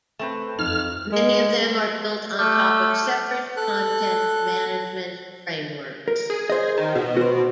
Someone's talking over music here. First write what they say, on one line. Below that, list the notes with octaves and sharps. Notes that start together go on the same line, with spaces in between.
Many of them are built on top of separate content management frameworks.
A3 C4 B4
F2 D#4 F6
G#3
A3 D6 F6 G6
A4 F#6
A#4
G#4
C5 D#5
D#3
B2
F#4 C5